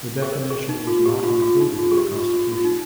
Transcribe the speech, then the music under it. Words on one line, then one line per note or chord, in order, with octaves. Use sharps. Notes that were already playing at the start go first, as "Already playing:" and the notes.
The definition was not included in the constitution.
G#4
A#4
G#4
D#4
F4
G4
F4
F4
D#4
F4
G#4
G4
F4
F4
F4
D#4